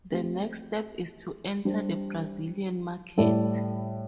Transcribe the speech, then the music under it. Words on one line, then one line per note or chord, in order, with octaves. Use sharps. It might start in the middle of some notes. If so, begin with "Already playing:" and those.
The next step is to enter the Brazilian market.
A3 C4 G4
G3 D4 G4 C5
A2 G3 E4 A4 D5